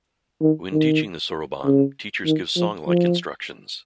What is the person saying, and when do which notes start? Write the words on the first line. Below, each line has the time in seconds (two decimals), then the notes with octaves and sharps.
When teaching the soroban, teachers give song-like instructions.
0.42 D#3
0.72 D#3
1.64 C#3
2.26 D#3
2.56 F3
2.87 F3